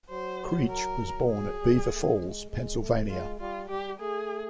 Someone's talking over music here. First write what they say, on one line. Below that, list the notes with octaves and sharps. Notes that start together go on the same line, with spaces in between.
Creach was born at Beaver Falls, Pennsylvania.
F#3 C5
A#4
F#3
G#4
G3
A3
G#3
G#3
A3
G#3 F4
G3 F4
G3 G4
A3 G#4